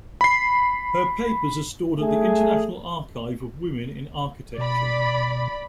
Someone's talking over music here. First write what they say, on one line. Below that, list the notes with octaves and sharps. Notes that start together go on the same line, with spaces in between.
Her papers are stored at the International Archive of Women in Architecture.
B5 C7
A3 G#4
B2 D5 B5